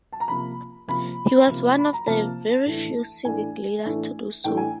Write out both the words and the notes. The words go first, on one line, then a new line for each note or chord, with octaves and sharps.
He was one of the very few civic leaders to do so.
A5
A#5
C3 F3 A#3 B5
C3 F3 A#3 B5
C3 F3 A#3
B5
A#5
C3 F3 A#3 A5
A2 E3 A3 D4
A2 E3 A3 D4 G#5
A2 E3 A3 D4
A2 E3 A3 D4 G5
G#5